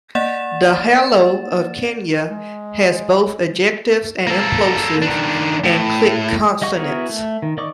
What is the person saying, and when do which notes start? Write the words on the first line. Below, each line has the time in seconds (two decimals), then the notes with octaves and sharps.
Dahalo of Kenya, has both ejectives and implosives and click consonants.
0.15 A#3 D5 F#5 A6 E7
2.29 G#3
4.27 A#3 A4
5.02 D#3 D4
5.64 A2
6.62 G3 D#5 F#5 C#6
6.76 B3 E4 F#4 G#4 A#4
7.10 A3
7.42 D#3
7.57 D#3 D5 D#5 C#6 D6